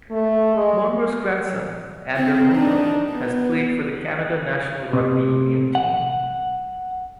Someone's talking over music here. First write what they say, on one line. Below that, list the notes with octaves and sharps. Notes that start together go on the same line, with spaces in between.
Monro's grandson, Ander Monro, has played for the Canada national rugby union team.
A3
G#3
C4
D4 D#4
B3
C3
F#5